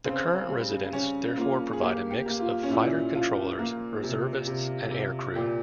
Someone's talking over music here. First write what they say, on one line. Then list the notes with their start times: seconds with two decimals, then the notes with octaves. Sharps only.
The current residents therefore provide a mix of fighter controllers, reservists and aircrew.
0.04 C#3 C4
0.49 G3
0.93 C#3 C#4
1.37 A#3 F4
1.73 G#4
1.81 A#3 G4
2.11 G4
2.26 A#3
2.40 F4
2.63 C#4
2.70 A#2 E4
3.14 F3 F4
3.59 A#3
4.03 C3
4.47 C3
4.91 C3
5.35 A#2 G4